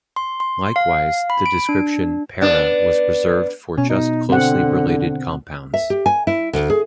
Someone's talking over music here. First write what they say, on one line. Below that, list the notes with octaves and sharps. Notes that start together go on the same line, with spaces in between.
Likewise, the description "para" was reserved for just closely related compounds.
C6
C6
F5
B5
D7
D4
B3 D4
B2 C#4
D#4
D3 C4 F#5
E5
G4
G#5
E4
D2
G#4